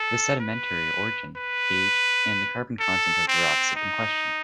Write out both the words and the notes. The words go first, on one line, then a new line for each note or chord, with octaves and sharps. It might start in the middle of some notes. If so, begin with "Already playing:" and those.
The sedimentary origin, age and the carbon content of the rocks have been questioned.
Already playing: A4
B4
B4
A4
C4
D#4